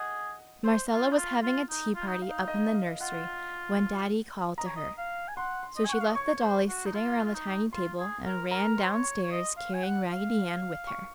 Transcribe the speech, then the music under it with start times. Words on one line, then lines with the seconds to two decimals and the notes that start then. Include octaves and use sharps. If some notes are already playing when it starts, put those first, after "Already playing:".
Marcella was having a tea party up in the nursery when Daddy called to her, so she left the dollies sitting around the tiny table and ran down stairs carrying Raggedy Ann with her.
Already playing: G#4 D#5 F#5
0.64 C5
0.90 F4
1.11 D#4
1.17 F4
1.43 F4
1.70 D#4
1.95 F4
2.07 D#4
2.22 F5
2.29 D#4
2.48 D#5
2.74 F5
3.01 F4 F#5
4.58 D#5 A#5
4.66 C#5
4.76 D#5
4.98 F5
5.28 G#5
5.36 F#5 C6
5.63 C6
5.76 D#5
5.85 G#5
5.89 F#5 C#6
6.00 F5
6.07 D#5
6.15 C#5 C#6
6.37 C#5
6.41 C5
6.68 F#4
6.85 D#4
6.93 F4
7.25 F4
7.34 D#4
7.73 F4 C6
7.99 G#4
8.25 A#4
8.51 A#4 A#5
8.78 C5 C6
8.91 C#5
9.04 C#6
9.23 C#5
9.31 D#5
9.57 F5
9.74 G#5
9.83 F#5
10.09 F5
10.87 C#6